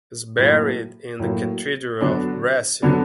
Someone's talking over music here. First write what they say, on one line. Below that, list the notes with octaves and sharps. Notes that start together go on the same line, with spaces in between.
He is buried in the Cathedral of Brescia.
A2 F#3 A#3
A2 F#3 A#3
D3 F#3 B3 D4
D3 F#3 B3 D4